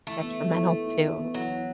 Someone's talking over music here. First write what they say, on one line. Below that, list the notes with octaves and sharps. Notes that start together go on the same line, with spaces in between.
detrimental to
E3 A3
B3
E3
E4
B3
E4
E3
B3
E3 F#3
E3